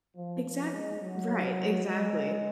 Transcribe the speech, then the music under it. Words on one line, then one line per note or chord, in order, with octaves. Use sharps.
Exact right, exactly.
F3
F3
G#3
F#3
G#3